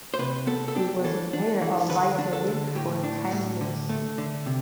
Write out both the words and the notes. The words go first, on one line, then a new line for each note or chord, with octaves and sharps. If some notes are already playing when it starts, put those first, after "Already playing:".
He was mayor of Valladolid for ten years.
C5
C3 B4
B3 A4
A4
D4 G4
E3 A4
D4
E3
D3 B4
D4
A4
D3
A2 G4
D4
A2
D3
A3
D3
C3